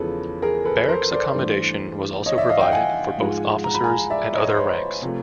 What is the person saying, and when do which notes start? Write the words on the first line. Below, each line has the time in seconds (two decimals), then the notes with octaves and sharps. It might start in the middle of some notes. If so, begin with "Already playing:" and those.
Barracks accommodation was also provided for both officers and other ranks.
Already playing: E2 C#3 F3 G#3 A4 B4
0.42 G#4 A#4
0.65 A4 B4
0.89 A#4 C5
1.11 C5 D5
1.35 G2 E3 A3
2.26 C#5 D#5
2.38 D5 E5
2.49 D#5 F5
2.61 F5 G5
2.72 F#5 G#5
3.18 G#2 F3 G#3
3.64 A#5
3.74 B5
3.84 G#5 A#5
4.10 D5 E5
4.33 C#5 D#5
4.48 C5
4.56 B4 C#5
5.02 C3 F3 A3